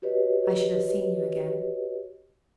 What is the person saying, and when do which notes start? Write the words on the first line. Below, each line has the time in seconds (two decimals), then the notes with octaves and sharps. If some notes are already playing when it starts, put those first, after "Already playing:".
"I should have seen you again."
0.02 F#4 G4 B4 C#5 D#5